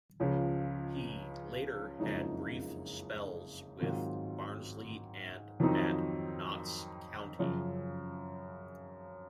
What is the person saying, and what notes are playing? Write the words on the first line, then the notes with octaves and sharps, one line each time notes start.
He later had brief spells with Barnsley and at Notts County.
C#2 C#3 F3
F#1 F2 C#3 G#3 D#4
G#2 D#3 F#3 C4 F4
F2 D#3 F#3 C4 D#4
F#2 C#3 F3